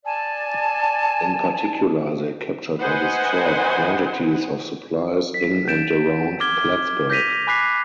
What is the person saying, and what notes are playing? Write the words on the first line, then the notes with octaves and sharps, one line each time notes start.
In particular, they captured or destroyed quantities of supplies in and around Plattsburgh.
D5 G#5 A5
B4 C5 D#5 F#5 G#5
B6
G6 A6 D7 E7
D6 F6 G#6 G7
G6 A#6 B6 D#7 F7
G#5 B5 D6 F#6 B6 C7